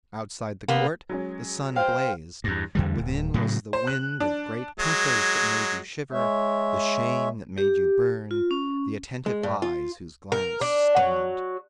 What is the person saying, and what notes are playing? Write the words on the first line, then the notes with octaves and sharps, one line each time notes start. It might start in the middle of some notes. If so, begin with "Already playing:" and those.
Outside the court the sun blazed--within was the wind of great punkahs that made you shiver, the shame that made you burn, the attentive eyes whose glance stabbed.
C3 A#3 B3
F#3 G#3 C#4
C5 F5 G5
E2 G2
E2 D3 G3
D1
A2 C#3 F#3
C5
F#6
D4
F#3 G#3
G#3 C#5 E5
G4
F4
C#4
G#3
G2
F4
A#4
D4
F#3